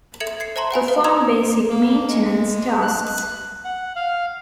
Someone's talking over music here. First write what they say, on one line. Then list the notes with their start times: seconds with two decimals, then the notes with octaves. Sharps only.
Perform basic maintenance tasks.
0.20 A4 E5 G#6 C#7 E7 F#7
0.40 G#6 C7 C#7
0.56 C5 E5 A5 A#5 C6
0.71 C5 F#5 G#5 B5
0.88 B4 C5 F5
1.04 C6 D6 E6 G#6 E7 F7
1.70 A#3
2.09 G#3
2.82 F#6
3.65 F#5
3.96 F5